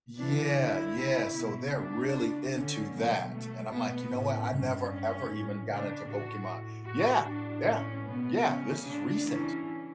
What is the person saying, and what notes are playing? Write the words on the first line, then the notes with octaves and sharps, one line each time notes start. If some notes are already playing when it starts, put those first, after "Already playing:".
Yeah, yeah, so they're really into that, and I'm like, you know what, I never ever even got into Pokemon. Yeah, yeah, yeah, this is recent,
E3 D4
D3 E4
C#3
B2
C#3 D4
D3 C#4
B2 F#3
A3
B2 B3
A2 C#4
G2
C#4
A2
C#3 D4
A2 F#4
A2 F#4
A2 D4
C#4
B2 B3
C#3 C#4
D4
E3 C#4